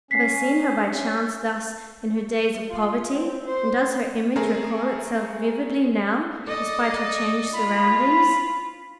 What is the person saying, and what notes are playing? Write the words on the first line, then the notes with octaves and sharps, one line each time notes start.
Have I seen her by chance thus in her days of poverty, and does her image recall itself vividly now despite her changed surroundings?
C#4 B6 C7
F4
C4
C5
A3 C4 G#4 A#4
A4 D5 D#5
F4 B5